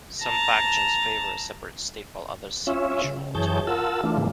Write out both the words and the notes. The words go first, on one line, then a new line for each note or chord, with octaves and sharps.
Some factions favour a separate state while others seek regional autonomy.
A5 A#5
C#4 F4 C#5 E5
C#3
F#2 E3 G#4 C#5 A5 G6
F4 A#4 F#5 A5 E6
E3 A3 D4 F4
A2 C#3 E3 F3 G#3 A#3